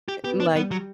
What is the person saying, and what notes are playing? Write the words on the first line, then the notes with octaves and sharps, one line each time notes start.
i like
G4
B3 G4
D4
G3 B3
F#3